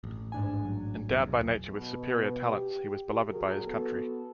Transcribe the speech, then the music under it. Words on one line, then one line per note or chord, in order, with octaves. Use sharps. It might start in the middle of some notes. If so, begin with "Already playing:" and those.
Endowed by nature with superior talents, he was beloved by his country.
A1
G#2 D4 G#5
F#3
B1 E2
B2
G4
A#2 F#3 F#4 G#4 A#4
B3 F#4 A4